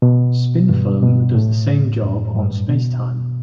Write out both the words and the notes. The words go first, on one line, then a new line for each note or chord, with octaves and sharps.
Spin foam does the same job on spacetime.
B2
G2
B2
A2
F#2
G2
B2